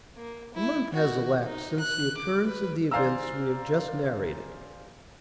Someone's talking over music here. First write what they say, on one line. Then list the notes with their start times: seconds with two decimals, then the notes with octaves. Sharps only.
A month has elapsed since the occurrence of the events we have just narrated.
0.17 A#3
0.54 E4
0.93 F#4
1.46 D#4
1.79 F#6
2.17 D6
2.46 B4
2.91 C5 D5 F5 G#5 A#5 E6